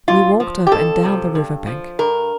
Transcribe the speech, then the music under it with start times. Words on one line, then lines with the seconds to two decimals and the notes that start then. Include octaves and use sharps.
We walked up and down the river-bank.
0.08 A#2 F4
0.40 F3
0.67 G4
0.71 F2 A4
1.03 C3 F3
1.35 G2
1.67 F3
1.99 G2 A#4